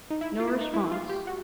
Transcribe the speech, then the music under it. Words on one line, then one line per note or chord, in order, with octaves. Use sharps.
No response.
D#4
E4
F4
E4
D#4
E4
F4
G4
F#4